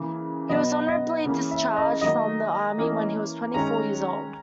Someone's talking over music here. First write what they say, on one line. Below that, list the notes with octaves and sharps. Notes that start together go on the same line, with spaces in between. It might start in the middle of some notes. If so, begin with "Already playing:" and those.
He was honorably discharged from the Army when he was twenty-four years old.
Already playing: C#3 E3 A#3
B2 F#3 B3 D#5
D#5
C#3 E3 A#3 C#4
E5
D#5
D#3 F#3 A#3 D#5
E3 A#3 C#4
D#3 G#3 C#4 A#5